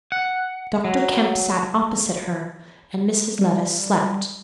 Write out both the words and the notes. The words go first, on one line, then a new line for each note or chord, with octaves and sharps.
Dr. Kemp sat opposite her--and Mrs. Levice slept.
F#5
F#3
G3